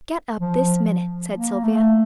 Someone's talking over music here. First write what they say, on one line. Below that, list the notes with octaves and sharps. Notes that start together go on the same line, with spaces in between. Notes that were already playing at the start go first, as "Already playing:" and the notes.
"Get up this minute," said Sylvia.
F3
A#3
A3